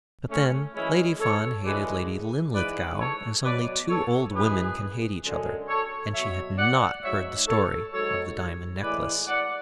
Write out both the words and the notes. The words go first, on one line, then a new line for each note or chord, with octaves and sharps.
But then Lady Fawn hated Lady Linlithgow as only two old women can hate each other;--and she had not heard the story of the diamond necklace.
A3 C#4
F#2 E3 G#3 C#4 E4
A4 C#5
F#2 C#3 E3 G#3 B4 D5
G#2 E3 G#3 B4 D5
A4 C#5
B2 F#3 B4 D5
A4 C#5
F#2 E3 G#3 G#4 B4
F#2 D3 G#3
A4 C#5
B2 F#3 C#5 E5
D5 F#5
G#2 F#3 C#5 E5
A4 C#5
G#2 F#3 A4 C#5
A2 E3 G#3 B4 D5
D5 F#5